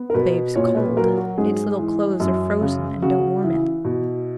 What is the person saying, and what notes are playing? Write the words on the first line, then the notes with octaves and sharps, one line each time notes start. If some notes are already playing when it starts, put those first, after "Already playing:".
"The babe's cold, its little clothes are frozen and don't warm it."
Already playing: B3
A#4
B2 B4
A#2 C#5
B4
F#3 A#4
F#4
G#2 G#4
E3
F#2
C#3
C#3 F#4
E3 E4
B2